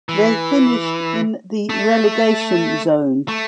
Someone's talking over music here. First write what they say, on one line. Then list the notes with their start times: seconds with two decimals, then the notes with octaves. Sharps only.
They finished in the relegation zone.
0.09 E3
1.69 A3
3.28 A3